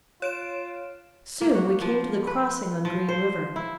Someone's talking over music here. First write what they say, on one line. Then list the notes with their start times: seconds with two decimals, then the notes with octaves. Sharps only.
Soon we came to the crossing on Green River.
0.22 F4 C#5 D7 E7
1.41 A#3
1.55 F#4
1.81 F3
2.27 B4
2.85 F3
3.09 C5
3.56 E4